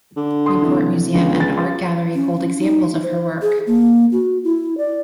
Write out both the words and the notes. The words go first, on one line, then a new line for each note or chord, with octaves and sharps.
Newport Museum and Art Gallery hold examples of her work.
D3
C6 D#6
C3 E3
C#2 D3 B3
A6
C#4
D#4
C5
G#4
A#3
F#4
E4
D5